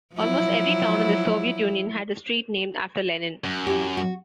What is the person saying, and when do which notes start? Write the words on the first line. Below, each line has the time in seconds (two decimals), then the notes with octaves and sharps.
Almost every town in the Soviet Union had a street named after Lenin.
0.15 F3 F#3 E4
3.44 F#2
3.67 E4 G4
3.97 F#4